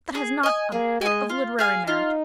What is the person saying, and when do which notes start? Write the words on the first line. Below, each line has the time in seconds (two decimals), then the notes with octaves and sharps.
That has not a bit of literary merit.
0.15 G#4
0.43 D#5 G#5
0.72 A#3 G#4
1.01 G#3 D#5 G#5
1.29 F4
1.59 G#4 F5 G#5
1.87 D#4 F4